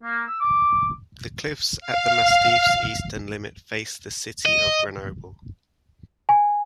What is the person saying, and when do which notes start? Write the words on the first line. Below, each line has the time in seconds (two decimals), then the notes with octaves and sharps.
The cliffs at the massif's eastern limit face the city of Grenoble.
0.03 A#3
0.26 E6
0.40 D6
1.80 F5
4.45 D#5
6.29 G#5